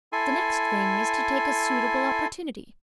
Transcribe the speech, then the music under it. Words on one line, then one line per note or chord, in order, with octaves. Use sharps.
The next thing is to take a suitable opportunity.
E4 A4 G#5 C6